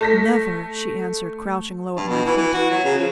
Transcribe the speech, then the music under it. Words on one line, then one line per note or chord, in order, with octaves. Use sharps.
"Never!" she answered, crouching low at my feet.
A3 A#6 B6
G2
B2
E3
E3
F#4
F#3
C#3
F3